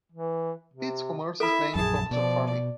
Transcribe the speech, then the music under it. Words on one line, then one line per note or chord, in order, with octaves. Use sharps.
Peetz's commerce mainly is focused on farming.
E3
C3
E4 A4 E5 B5
A#1 F#2 G#4 A5
B2 F3 D5